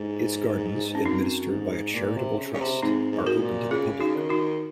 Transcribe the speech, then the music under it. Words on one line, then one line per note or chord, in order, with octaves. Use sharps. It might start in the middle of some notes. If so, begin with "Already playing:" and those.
Its gardens, administered by a charitable trust, are open to the public.
Already playing: G#2
C#4
F#2 C4 D#4
G#2
A#2
C3
C#3
C#3
C3
G#2 C4 D#4
G#2
F#4 A#4
A#2
C#3 F4 G#4
D#4 F#4
D#3
D#4 F#4